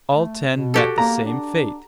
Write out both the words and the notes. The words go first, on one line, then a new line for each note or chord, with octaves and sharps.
All ten met the same fate.
A3
B2
F#4 G4 A4
A#3 A#5
D4